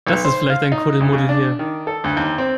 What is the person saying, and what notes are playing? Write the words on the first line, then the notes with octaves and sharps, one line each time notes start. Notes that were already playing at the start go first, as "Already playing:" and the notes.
Das ist vielleicht ein Kuddelmuddel hier.
B1
C5
F5
D#4
D2
C#3
D4
D#3
A4
D2
D#2
C4